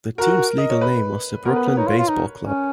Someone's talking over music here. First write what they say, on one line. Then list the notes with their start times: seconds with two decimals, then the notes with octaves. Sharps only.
The team's legal name was the Brooklyn Base Ball Club.
0.18 F#4 A#4
0.58 D#5
0.70 C#5
0.81 B4
1.45 B3 A#4
1.56 B4
1.67 B4
1.77 D#4 C#5
1.87 F4
1.98 F4
2.09 D#4
2.41 C#4